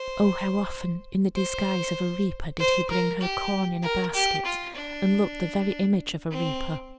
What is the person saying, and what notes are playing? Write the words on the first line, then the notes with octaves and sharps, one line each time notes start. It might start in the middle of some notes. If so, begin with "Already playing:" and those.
O how often, in the disguise of a reaper, did he bring her corn in a basket, and looked the very image of a reaper!
Already playing: C5
C5
C5
A#4
G4
A#4
G4
F4
D4
C4